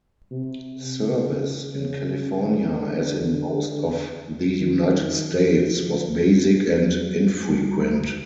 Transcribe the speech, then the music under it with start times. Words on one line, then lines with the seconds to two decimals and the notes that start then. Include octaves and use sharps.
Service in California, as in most of the United States, was basic and infrequent.
0.31 C3
1.03 C#3
1.74 C#3
2.45 D3
4.60 D#3
5.31 F3
6.75 F#3
7.46 G3